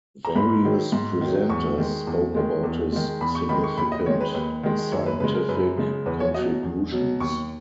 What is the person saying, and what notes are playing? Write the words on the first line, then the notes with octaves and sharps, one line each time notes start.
Various presenters spoke about his significant scientific contributions.
A#5
G#2 B5
D#3 F#3
G#2
D#3 F#3
E2 C#6
D#3 G#3
E2
D#3 G#3
E2
D#3 G#3
E2 B5
C#6
D#3 G#3 B5
C#6
D#2 B5
D#5
D#3 G#3 C#5
B4
D#2 B4
D#3 G#3
F#2 C#5
B4
C#3 G#3 B4
A#4
F#2 B4
C#3 G#3
E2 B4
C#5
B2 F#3 D#5
E2
B2 F#3
D#2 C#6